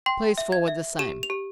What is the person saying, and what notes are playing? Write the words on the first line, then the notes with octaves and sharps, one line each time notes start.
Pleas forward the same.
G5 C6
E5
G#6
E5
G4 E7
F7
G4